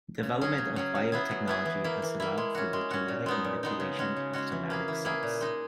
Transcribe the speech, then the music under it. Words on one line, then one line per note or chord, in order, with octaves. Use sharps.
Development of biotechnology has allowed for the genetic manipulation of somatic cells.
C#3
F#3 C#4 G#4
C#3
F#3 C#4 G#4
F#3
B3 E4 G#4
F#3
B3 E4 G#4
E3
A#3 E4
E3
A#3 E4
G#3
C#4 F#4
G#3
C#4 F#4
A#2
G#3 B3 D#4
A#2
G#3 B3 D#4
C#3
G#3 C#4 F#4
C#3
G#3 C#4 F#4
E3
A#3 E4 G#4
E3
A#3 E4 G#4
A#2
G#3 D#4